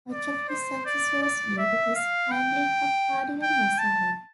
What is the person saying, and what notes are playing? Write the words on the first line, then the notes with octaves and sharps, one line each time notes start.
Much of his success was due to his handling of Cardinal Mazarin.
D5
C5
D5
D5
E5
F5
G5
G5
A5